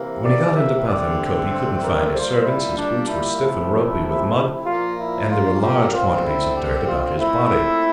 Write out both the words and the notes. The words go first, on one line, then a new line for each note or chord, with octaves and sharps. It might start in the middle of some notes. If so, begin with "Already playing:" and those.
When he got into Pathankote, he couldn't find his servants, his boots were stiff and ropy with mud, and there were large quantities of dirt about his body.
Already playing: C3 E3 A#3
D5
E5
G2 D3 A3 C4 D5
C5
A#4
A#2 G3 A#3 C5
E4
D4
E4
C3 F3 A3
A#2 F3 A#3 F4
E4
F4
G4
D3 A3 C4 F4
E4
G4
F4
A#2 A3 C4 E4